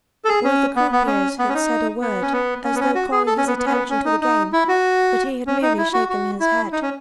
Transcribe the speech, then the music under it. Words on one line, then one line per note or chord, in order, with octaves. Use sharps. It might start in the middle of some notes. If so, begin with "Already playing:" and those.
One of the croupiers had said a word, as though calling his attention to the game, but he had merely shaken his head.
A4
G#4
C#4
B3
B3
C#4
B3
C#4
D#4
B3
C#4
B3
C#4
B3
C#4
F#4
G#4
A4
C#4
B3
B3
C#4
B3
C#4
D#4
D#4
E4
F#4
C#4
D#4
E4
F#4
F#4
E4
D#4
C#4